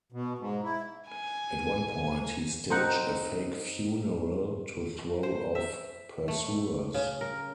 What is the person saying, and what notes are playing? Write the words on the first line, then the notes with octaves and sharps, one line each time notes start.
At one point, he staged a fake funeral to throw off pursuers.
B2
G#2
E4
G#5
C4 D#4 F#5
C5
E5
A3
C#3
A#4